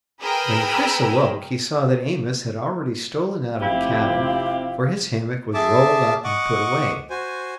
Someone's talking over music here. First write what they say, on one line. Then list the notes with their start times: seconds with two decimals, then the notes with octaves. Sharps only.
When Chris awoke he saw that Amos had already stolen out of the cabin, for his hammock was rolled up and put away.
0.20 G#4 A#4 B4 G5 B5 E6
3.61 F1 F3 C4 E4 G4 F5
5.54 G#4 E5 A5 D6
6.24 D#5 F#5 C#6 D6
7.10 F#4 C5 G#5